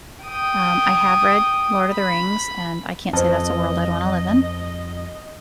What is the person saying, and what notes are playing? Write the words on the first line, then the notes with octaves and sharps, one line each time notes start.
Um, I have read Lord of the Rings, and I can't say that's a world I'd want to live in.
G5 D#6
B5
F2 C5 D#5 A5